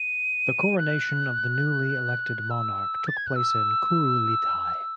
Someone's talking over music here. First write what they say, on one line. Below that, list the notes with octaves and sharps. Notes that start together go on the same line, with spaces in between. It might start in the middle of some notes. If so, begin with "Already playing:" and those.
The coronation of the newly elected monarch took place on Kurultai.
Already playing: D#7
F#6
E6
A6
G#6
F#6
E6